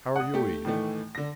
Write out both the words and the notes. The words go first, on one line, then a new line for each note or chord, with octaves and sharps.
"How are you, Eve?"
F#5 D#6
A3 G4
A2 D#3 E3 A3
D3 A#6